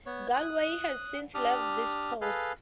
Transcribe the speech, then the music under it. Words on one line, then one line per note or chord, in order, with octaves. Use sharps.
Galway has since left this post.
B3 C#5
D#6 F#6
D4 G4 D#6 F6
G#4 A4 B4 F5